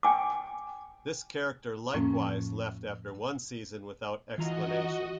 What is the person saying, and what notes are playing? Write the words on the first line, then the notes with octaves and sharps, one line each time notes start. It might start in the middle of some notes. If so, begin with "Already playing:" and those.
This character likewise left after one season without explanation.
G5 G#5 D6
F2 A2 F3 A#3 C#4
E3 F4 F#4 D#5 A#5